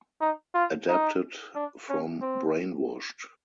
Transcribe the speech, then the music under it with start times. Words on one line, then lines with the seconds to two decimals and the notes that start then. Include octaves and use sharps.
Adapted from Brainwashed.
0.21 D#4
0.54 F4
0.88 D#4
1.55 D4
1.89 C#4
2.22 C4